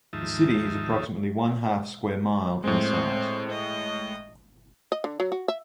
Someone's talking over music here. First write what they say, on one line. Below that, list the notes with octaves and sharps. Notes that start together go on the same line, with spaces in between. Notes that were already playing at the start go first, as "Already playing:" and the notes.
The city is approximately one half square mile in size.
D#2 G#2 F3 D#4 E5 A5
A2 G#3 C4
D#5
D#5
D3
F#3
F#4
E5